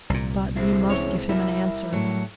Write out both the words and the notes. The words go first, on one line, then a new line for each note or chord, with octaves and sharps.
"But we must give him an answer."
C2 A#2
G#3 C4 E4
E2 C#4 C#5
G3 E4 A#4
A2 F#3